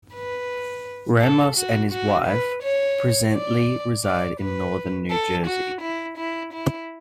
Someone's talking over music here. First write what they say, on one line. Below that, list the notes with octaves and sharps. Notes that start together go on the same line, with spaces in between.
Ramos and his wife presently reside in northern New Jersey.
B4
A4
F#4
F#4
B4
C#5
D5
D5
B4
A4
F#4
E4
E4
E4